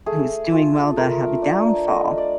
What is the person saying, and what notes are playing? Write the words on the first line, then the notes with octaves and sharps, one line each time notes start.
who's doing well to have a downfall."
A3 G#4
F4
A3 A#4
D4
A3 D#5
D5